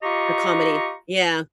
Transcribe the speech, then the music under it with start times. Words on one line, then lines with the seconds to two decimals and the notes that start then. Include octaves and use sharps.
A comedy. Yeah.
0.03 F4 G4 D#5 A#5 C#6